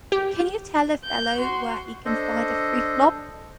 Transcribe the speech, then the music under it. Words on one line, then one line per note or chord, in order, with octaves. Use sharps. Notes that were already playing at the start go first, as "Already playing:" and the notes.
Can you tell a fellow where he can find a free flop?
G4
G6
F#4 C6
D4 A4 C5 D#5